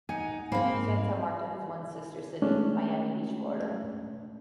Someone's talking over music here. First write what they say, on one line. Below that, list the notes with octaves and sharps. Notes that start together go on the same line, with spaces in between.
Santa Marta has one sister city: Miami Beach, Florida.
D#4 F#5 G#5
G#2 A#3 C4 F5 B5
G#3 A3 C#4 D4